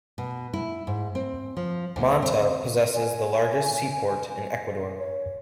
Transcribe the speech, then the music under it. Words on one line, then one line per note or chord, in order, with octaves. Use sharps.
Manta possesses the largest seaport in Ecuador.
B2
E4
G#2
C4
F3
D2
C4
G#5
C#5